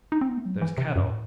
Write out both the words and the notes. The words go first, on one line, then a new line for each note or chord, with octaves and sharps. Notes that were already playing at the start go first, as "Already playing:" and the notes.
'There's cattle!
D#4
C4
B3
A3
F#3
E3
C3
F#2
A2